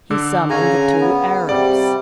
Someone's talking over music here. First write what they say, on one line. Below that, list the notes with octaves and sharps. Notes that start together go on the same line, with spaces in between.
He summoned the two Arabs.
D3 D6 E6
C#3 G#4 F5 G#5 A#5 C#6
B3
C3 G3 D5